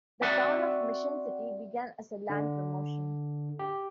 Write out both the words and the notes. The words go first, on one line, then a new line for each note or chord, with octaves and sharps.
The Town of Mission City began as a land promotion.
C4 F#4 D5 E5 F#5
D3
G4